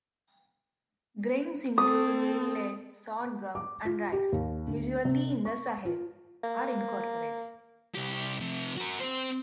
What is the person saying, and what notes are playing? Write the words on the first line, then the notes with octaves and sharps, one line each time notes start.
Grains include millet, sorghum, and rice, usually in the sahel, are incorporated.
C4 A4 D#6
D6
F4
G4
D#2
D2
C3
C#6
F4
A#3
C2 G4
C3 F3
F#4 A#4
C4 C5